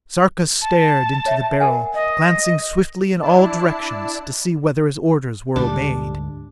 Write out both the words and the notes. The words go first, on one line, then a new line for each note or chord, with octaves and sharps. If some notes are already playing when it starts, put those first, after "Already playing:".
Sarka stared into the Beryl, glancing swiftly in all directions, to see whether his orders were obeyed.
A5
C#5 E5
A#4 F#5 G#5
D#5
D4 E4 D5 A5
D2 G#2 D3 G3 D4